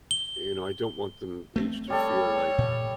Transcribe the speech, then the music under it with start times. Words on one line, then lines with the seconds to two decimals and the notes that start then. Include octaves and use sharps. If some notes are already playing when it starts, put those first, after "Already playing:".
you know, I don't want them each to feel like
0.11 G7
1.56 A3 A#3 C4
1.90 G3 A4 C#5
2.58 A#2